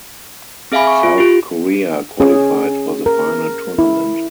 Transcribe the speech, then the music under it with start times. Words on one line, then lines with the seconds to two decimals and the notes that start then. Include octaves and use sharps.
South Korea qualified for the final tournament.
0.72 C4 G#4 E5 F5 G#5 B5
0.87 C#6
1.03 F4
1.18 F4 G4
2.20 C#4 G#4
3.06 A#4
3.79 E4